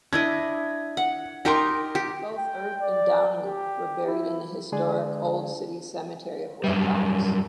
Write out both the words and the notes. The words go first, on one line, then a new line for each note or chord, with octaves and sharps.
Both Earp and Downing were buried in the historic "Old City Cemetery" of Willcox.
D4 E4 D#5 G#6
F#5
D#4 G4 A#4 G5 C6
G4
G5
D5
G4
E4
D3 G#3 D4 G#4 D5 G#5
F#2 G3